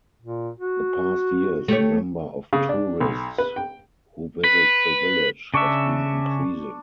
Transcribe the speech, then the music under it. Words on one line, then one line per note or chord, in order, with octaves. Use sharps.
The past years the number of tourists who visit the village has been increasing.
A#2
F#4
A3 G4 C#5
C#3
D4
B1
B4
G5
B4
C#3 D4 E5 C#6